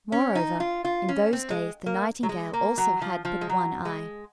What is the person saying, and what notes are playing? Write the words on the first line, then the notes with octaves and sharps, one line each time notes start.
Moreover, in those days the Nightingale also had but one eye.
C#4
D#4
F4
F4
C#4
C4
G#3
A#3
F#3
G#3
A#3
F#3
F3
F3
G#3
F#3
G#3